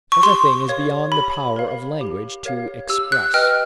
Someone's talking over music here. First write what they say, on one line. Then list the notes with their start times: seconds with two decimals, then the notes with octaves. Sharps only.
Such a thing is beyond the power of language to express.
0.12 C#6
0.23 G4 C6
0.68 A#4 C#5 F5
1.12 G4 B5
1.56 A#4 C#5 F5
2.01 G4
2.45 A#4 C#5 F5
2.89 G4 E6
3.12 F#6
3.34 B4 D#5 G5 F6